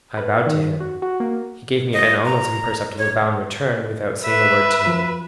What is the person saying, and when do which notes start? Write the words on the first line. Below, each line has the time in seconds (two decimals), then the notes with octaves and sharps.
I bowed to him. He gave me an almost imperceptible bow in return, without saying a word to me.
0.17 B4
0.46 D#3
0.80 F#4
1.02 F#4
1.20 A#3
1.93 D#5
2.25 A#5
2.98 C#5
4.24 B4 E5
4.87 F3